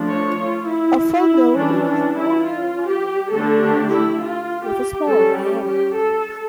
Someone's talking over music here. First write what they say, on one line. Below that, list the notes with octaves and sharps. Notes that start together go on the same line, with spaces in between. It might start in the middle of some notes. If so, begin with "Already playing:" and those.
A fungo is longer and lighter than a regulation bat, with a smaller diameter.
Already playing: F3 A3 D4
C#5
F4
E4
E4
E3 G3 C#4 D4
D4
E4
F4
G4
D3 A3 D4 A4
G4
E4
F4
G4
G3 C#4 A4
G4
G4
A4